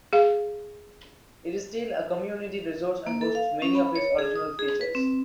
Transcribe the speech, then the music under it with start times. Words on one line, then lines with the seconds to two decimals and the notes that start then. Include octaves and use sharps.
It is still a community resource and boasts many of its original features.
0.13 G#4 F5
3.07 A#3
3.21 A4
3.35 F5
3.62 C#4
3.75 B5
3.96 C#5
4.19 G#4
4.36 D#6
4.59 G#4
4.81 B4
4.95 C4